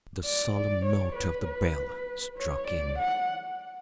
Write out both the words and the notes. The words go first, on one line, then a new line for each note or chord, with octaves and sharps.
The solemn note of the bell struck in.
D5
D5
C#5
B4
B4
C#5
D5
F#5